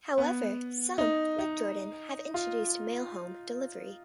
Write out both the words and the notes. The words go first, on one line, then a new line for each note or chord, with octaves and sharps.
However, some, like Jordan, have introduced mail home delivery.
B3
D#4
D#4
F4